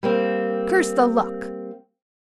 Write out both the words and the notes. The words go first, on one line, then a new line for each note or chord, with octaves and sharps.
Curse the luck!
G3 A#3 C4